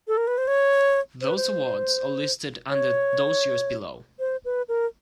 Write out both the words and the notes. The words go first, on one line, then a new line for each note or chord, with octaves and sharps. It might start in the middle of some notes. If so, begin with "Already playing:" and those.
Those awards are listed under those years below.
A4
A#4
B4
C5
C#5
C5
B4
C5
C#5
C5
B4
A#4